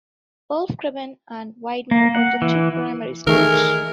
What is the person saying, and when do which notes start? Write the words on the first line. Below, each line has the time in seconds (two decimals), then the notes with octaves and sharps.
Wolfgraben and Widmer are the two Primary Schools.
1.91 A#3
2.15 F#5
2.42 E3
3.27 D#3 E3 A3 D#4 G#4 A#4